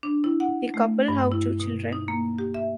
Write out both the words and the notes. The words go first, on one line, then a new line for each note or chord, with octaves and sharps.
The couple have two children.
D4
E4
F#5
A3
G2
E4
B2
D#4
A#3
G4
E5